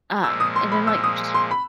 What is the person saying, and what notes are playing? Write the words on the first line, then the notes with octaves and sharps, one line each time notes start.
Uh, and then, like, just
A#2 F3 G#3 E6
D#6
C6
B5
E6
D#6
C6
B5